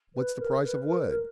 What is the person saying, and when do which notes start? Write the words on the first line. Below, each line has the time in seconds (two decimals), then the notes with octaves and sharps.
"What's the price of wood?"
0.15 B4
0.38 A#4
0.63 B4
0.86 A#4
1.05 A#4